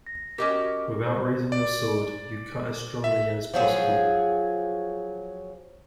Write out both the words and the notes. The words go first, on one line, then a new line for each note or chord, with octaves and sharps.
Without raising your sword, you cut as strongly as possible.
A#6
C#4 F#4 G4 A#4 D#5 D6
C5 D5
D5
E5
F3 F#3 G#4